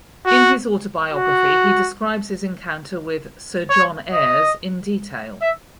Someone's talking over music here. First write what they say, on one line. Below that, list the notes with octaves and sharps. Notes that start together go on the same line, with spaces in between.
In his autobiography he describes his encounter with "Sir John Ayres" in detail.
F#4
F#4
C#5
D#5
E5